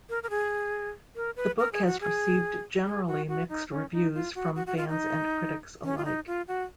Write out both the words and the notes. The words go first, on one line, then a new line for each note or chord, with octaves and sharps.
The book has received generally mixed reviews from fans and critics alike.
A#4
A#4
G#4
A#4
B4
A#4
G#4
F#4
G#4
G#4
F#4
F#4
D#4
C#4
D#4
F4
F#4
F#4
F#4
F4
D#4
C#4
F4
D#4
F4
F#4